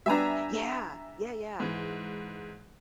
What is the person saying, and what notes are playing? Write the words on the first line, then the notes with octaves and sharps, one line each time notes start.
Yeah! Yeah, yeah.
G3 B3 D4 E5 G#5 A#5
G#2 E3